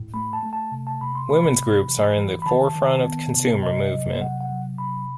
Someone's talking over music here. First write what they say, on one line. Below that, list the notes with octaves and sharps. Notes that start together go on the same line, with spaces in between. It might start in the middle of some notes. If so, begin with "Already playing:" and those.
Women's groups are in the forefront of the consumer movement.
Already playing: A2
A3 B5
A5
A3
A5
C3
A5
C3 B5
C6
A3 B5
C3
E3
E3
B5
D#3 A5
D#3
B3
C3
C3 D#5
F#3
C3 F#5
F#5
F#3
C3 B5